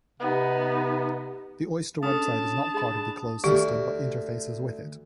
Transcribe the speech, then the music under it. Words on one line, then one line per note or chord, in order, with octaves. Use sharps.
The Oyster website is not part of the closed system but interfaces with it.
C3 B3 D#4
C#4 D4 A4 A5 D#6
G#4 A5 B5
D2 G4